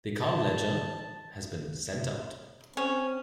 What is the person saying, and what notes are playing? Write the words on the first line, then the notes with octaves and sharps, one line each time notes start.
The account ledger has been sent out.
A5
C4 C#4